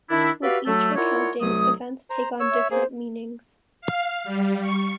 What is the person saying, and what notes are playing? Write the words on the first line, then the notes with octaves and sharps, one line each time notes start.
With each recounting, events take on different meanings.
D#3 D4 E4
F#4 G4 B4 D5 E5 F5
F#3 A3 A4
E4 F4 A#4 C#5 D5 F#5
C2 F#3 A3 D#6
C5 A#5
C#5 E6
E5
A#3 G#4 C5
F5
G3
C#6